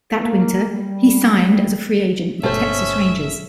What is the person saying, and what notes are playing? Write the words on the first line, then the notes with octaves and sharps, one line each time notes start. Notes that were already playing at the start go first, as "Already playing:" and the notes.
That winter, he signed as a free agent with the Texas Rangers.
A#3
G3
G1 B2 A3 C#4 C5 E5